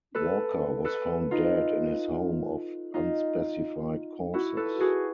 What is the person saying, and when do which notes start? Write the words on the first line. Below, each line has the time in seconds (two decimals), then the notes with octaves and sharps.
Walker was found dead in his home of unspecified causes.
0.15 A4 B4
0.85 A4 B4
1.31 D#4 F4
2.94 D#4 F4
4.34 E4 F#4
4.57 A4 B4
4.80 F#4 G#4